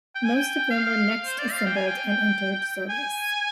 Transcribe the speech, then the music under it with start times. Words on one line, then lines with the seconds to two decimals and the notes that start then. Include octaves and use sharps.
Most of them were next assembled and entered service.
0.15 G5
0.25 G#5
0.35 G5
0.71 F5
1.25 C5
1.39 D5
1.52 F5
1.66 G5
1.76 G#5
1.86 G5
2.90 G#5